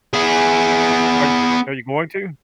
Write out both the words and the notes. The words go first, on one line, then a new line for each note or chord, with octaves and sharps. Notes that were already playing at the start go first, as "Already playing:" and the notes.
Are you are you going to?
B3 G#4